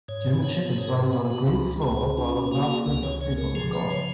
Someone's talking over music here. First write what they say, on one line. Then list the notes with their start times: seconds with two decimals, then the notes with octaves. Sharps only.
German Shepherds running on a green floor while a large group of people look on.
0.08 G#2 C#5
0.43 B3 C#5
0.78 G#2 C#5
0.87 A#4
0.95 B4
1.13 B3
1.30 F#4
1.47 C#2 F#4
1.82 C#2 G#4
2.17 C#4 F4
2.34 F#4
2.51 A#3 F#4
2.60 G#4
2.69 F#4
2.86 C#2 A#4
3.03 C#5
3.21 C#3 C#5
3.38 A#4
3.55 F3 G#4
3.73 B4
3.90 C#3 C#5